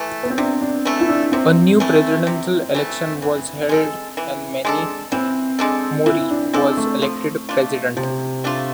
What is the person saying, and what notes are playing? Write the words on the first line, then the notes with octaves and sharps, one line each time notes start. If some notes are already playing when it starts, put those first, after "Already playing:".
A new presidential election was held and Manny Mori was elected president.
Already playing: E3 A3
B3
C4
C3 D4
D4
E3 A3
E4
D4
C3 C4
E3 A3
C3
E3 A3
E3
G#3 D4 A4
E3
G#3 D4 A4
E3 C4
G#3 D4 A4
E3 E4
D4
G#3 C4 D4 A4
A3
F3
A3 D4 F4
C3 F3
A3 D4 F4